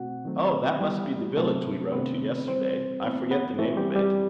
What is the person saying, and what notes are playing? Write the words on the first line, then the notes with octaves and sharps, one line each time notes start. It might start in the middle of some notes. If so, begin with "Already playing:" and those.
"Oh! that must be the village we rode to yesterday -- I forget the name of it."
Already playing: B2 A3 C4 F#4 F#5
D#3 F#3 A3 C4
E3 G3 B3 G4
C3 F#3 A3 C4 A4
C3 D#3 A3 B3 C4 B4
B4
E3 G3 C4 C5
E3 A3 B3 C4 B4
B3 B4
E3 A3 C4 A4
G3 G4
G3 G4